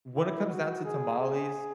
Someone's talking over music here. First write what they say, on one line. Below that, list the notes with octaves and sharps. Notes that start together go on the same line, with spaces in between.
When it comes down to tamales,
E4
F#4
G#4
G#4